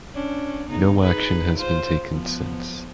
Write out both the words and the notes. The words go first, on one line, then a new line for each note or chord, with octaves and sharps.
No action has been taken since.
C#4 D4
C#3 B3 D#4
D#4 G#4 B4
F4 C5
F3 B3